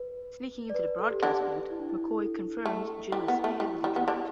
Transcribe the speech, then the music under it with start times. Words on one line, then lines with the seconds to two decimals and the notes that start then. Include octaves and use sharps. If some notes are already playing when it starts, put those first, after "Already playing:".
Sneaking into the broadcast booth, McCoy confirms Gill is heavily drugged.
Already playing: B4
0.70 D5
0.75 B4
0.88 B4
0.99 A4
1.11 G4
1.23 D3 D4
1.70 E4
1.79 D4
1.89 E4
2.18 A4
2.65 A3 A4
3.12 G3 E4
3.28 B3
3.44 A3
3.60 G3 E4
3.84 G3
3.96 B3
4.08 D3 D4